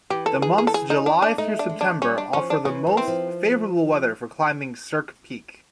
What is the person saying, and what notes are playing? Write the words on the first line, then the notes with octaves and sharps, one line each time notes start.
The months July through September offer the most favorable weather for climbing Cirque Peak.
E3 G4
A4
G#4
G#4
A4
G#4
D#4
D4
D4
A3 D#4
D4
G#3
D4
G3 C#4
D4
F3 C#4
D4
E3 C#4
E3
C4
F3